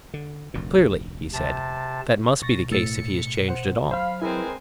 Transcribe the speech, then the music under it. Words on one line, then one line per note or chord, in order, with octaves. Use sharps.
Clearly, he said, that must be the case if he is changed at all.
D3
F1 D2 A#2
C3 A5
B2 C#6 A6 A#6
A2 E6 A6 C#7
C5 F#5
F#3 C5 F5 B5
G#3 C4 E4 A#4 B4 G#5